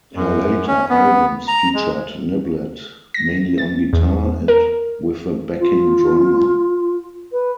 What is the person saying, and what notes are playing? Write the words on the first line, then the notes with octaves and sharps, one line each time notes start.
Her later albums featured Niblett mainly on guitar, and with a backing drummer.
F#2
C#4
B3
A#5
G#3
A#6
A6
E2
A#4
F4
B4